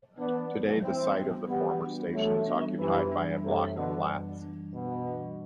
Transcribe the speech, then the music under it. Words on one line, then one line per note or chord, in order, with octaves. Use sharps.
Today the site of the former station is occupied by a block of flats.
E3 B3 D4
G3 B3 D4 F#4
E3 C4 E4
G3 B3 D4 F#4
E3 G3 B3
G3 B3 D4 F#4
E3 F#3 A3
G3 B3 D4 F#4
F#2 C3 E3
E3 G3 D4
F#2 A2 C3
B2 D3 E3 G3 D4
F#2
E3 G3 D4
F#2 B2
E3 G3 D4